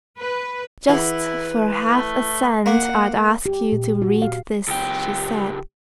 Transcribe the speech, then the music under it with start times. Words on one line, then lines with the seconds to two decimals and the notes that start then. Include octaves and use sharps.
"Just for half a cent I'd ask you to read this," she said.
0.17 B4
0.89 E3 E4 G#4 B4 F#5
1.88 A3
2.66 A#3 F5 F#5 C6 D6
3.46 G4
3.72 A#2
4.02 F#4
4.22 F5
4.67 C#2 G4